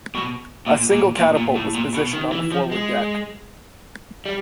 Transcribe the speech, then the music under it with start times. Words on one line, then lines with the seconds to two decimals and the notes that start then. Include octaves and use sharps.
A single catapult was positioned on the forward deck.
0.15 B2
0.66 A#2
0.92 A#2
1.17 A#2
1.37 A#2
1.56 A2
1.75 A#2
1.94 B2
2.13 D#3
2.32 E3
2.52 F3
2.72 G#3
4.26 G3